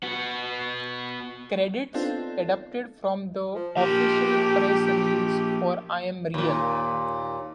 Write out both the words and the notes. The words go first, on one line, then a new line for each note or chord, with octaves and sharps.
Credits adapted from the official press release for "I Am Real".
B3 F#4
B3 C4 D4 D#4 F4 A4
F3
F3 A#3 G4
D#2 A#2